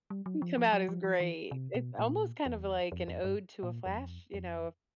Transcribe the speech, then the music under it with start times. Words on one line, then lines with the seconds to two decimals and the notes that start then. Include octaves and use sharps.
Come out as great. It's almost, kind of, like, an ode to a flash, you know,
0.10 G3
0.26 F#3
0.42 F3
0.57 F3
0.73 F#3
0.89 F3
1.04 F3
1.20 E3
1.51 C3
1.74 B2
1.99 A#2
2.46 E2
2.92 F2
3.08 F2
3.24 G2
3.63 A#2
3.86 F2
4.34 F2